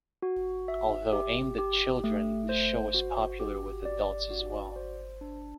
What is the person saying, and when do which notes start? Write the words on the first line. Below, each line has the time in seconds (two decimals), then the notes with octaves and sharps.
Although aimed at children, this show was popular with adults as well.
0.22 F#4
0.68 E5
1.13 G4
1.59 G4
2.04 A3
2.49 C5
2.94 F#4
3.40 G4
3.85 D5
4.30 F#4
4.76 C5
5.21 D4